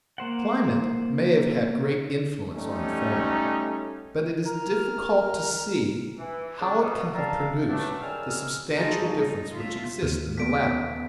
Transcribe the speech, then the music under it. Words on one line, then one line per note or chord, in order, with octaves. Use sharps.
Climate may have had great influence on the former, but it is difficult to see how it can have produced the substantial difference which exists in the latter.
A#3 C5 F#5
G3 A3 C#4 D#4
A#4 F6
E3
C#3 D4
B2
G4 A#4 D5 E5 F5 A5
E3 F#3 A3 D4
F#2 G3 G#3 G#5 E6 F6
D#4 F4 F#4 G#4 A4 D#5
G3 D#4
A2 F4 E5
D#2 F6 D#7
E2 A3 B3 B6 D7